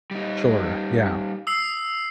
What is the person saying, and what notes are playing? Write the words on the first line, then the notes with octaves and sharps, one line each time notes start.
Sure. Yeah.
G3 D#4
D#6 E6 C7